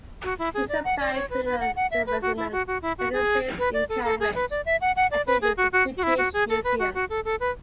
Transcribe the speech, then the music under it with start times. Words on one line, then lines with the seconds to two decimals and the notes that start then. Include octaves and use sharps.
He supplied crinoid specimens to Agassiz in Cambridge and to the British Museum.
0.23 F#4
0.39 E4
0.54 G#4
0.69 D5
0.84 F#5
1.00 D5
1.15 C#5
1.30 B4
1.45 B4
1.60 F#5
1.76 F#5
1.91 E5
2.07 B4
2.21 F#4
2.37 E4
2.52 F#4
2.67 F#4
2.82 E4
2.98 F#4
3.13 G#4
3.59 B4
3.74 D5
3.89 A4
4.04 A4
4.20 G#4
4.35 B4
4.50 D5
4.66 E5
4.81 F#5
4.96 F#5
5.11 D5
5.27 B4
5.42 G#4
5.57 F#4
5.72 F#4
5.97 F#4
6.03 E4
6.18 F#4
6.33 G#4
6.49 A4
6.64 B4
6.79 F#4
6.94 F#4
7.10 A4
7.25 A4
7.40 B4